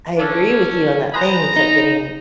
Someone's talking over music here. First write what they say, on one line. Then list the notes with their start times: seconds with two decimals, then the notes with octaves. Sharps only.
I agree with you on that thing, it's like getting,
0.19 C#4 D4 A4
1.14 G#4 B4 C5 A#5
1.56 D#4